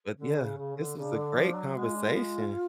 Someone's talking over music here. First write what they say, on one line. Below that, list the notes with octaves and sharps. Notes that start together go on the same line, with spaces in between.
But, yeah, this was a great conversation.
D3 C#4
C#3
C#3
D3
C#3 D4
D3
F3
F#3
G#3 F#4
F4
D4
F4
G#3